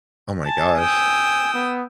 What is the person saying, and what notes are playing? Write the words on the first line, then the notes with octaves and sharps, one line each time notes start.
Oh my gosh.
G#5 A5
G5 D#6 E6
B3